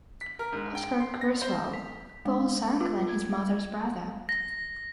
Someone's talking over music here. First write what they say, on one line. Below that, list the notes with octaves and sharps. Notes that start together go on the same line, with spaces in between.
Oscar Creswell: Paul's uncle and his mother's brother.
B6
A#4
G#2
G5
C6
A#6
C5
B6
G#3
F4
G#6
A#6